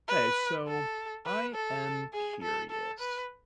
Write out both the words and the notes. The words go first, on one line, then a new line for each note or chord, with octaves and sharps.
Hey, so, I am curious.
B4
A4
B4
A4
G#4
A4
A4
B4